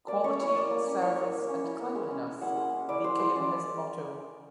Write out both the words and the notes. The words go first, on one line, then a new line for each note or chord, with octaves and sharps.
"Quality, Service and Cleanliness" became his motto.
A#3 D5
C#4 C#5
E4 C#5
A#3 D5
A#3
C#4
E4 C#5
A#3
A#3
C#4
E4
A#3
G#3
C#4
E4
G#3 F#5
G#3
C#4
E4 D5
G#3 C5
G#3 C5
C#4 D5